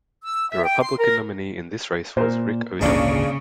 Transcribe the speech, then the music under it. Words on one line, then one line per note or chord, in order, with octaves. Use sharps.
The Republican nominee in this race was Rick O'Donnell.
E6
E5
G5
C6
A#4
A#2 A#4 C5
G#1 D2 A#2 C#3 G#3 A#3 D4